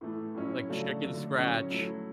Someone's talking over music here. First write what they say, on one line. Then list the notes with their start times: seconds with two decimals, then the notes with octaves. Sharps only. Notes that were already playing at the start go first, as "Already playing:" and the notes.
like, chicken scratch,
0.01 A2 E3 A3
0.35 A2 F#3 C#4 E4
0.69 C#3 F#3 A3 D4 F#4
1.03 D3 F#3 A3
1.36 A2 F#3 C#4 F#4
1.70 F#3 A3 E4